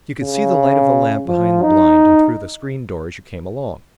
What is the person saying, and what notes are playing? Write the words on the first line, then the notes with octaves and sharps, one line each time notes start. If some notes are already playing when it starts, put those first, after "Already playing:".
You could see the light of the lamp behind the blind, and through the screen door as you came along.
C#3
F3
D#4